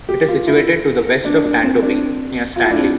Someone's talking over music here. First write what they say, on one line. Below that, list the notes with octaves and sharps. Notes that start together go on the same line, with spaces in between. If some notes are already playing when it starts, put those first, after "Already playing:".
It is situated to the west of Tantobie, near Stanley.
G4
F4
E4
D4
D4
C4
D4
F4
E4
D4
C4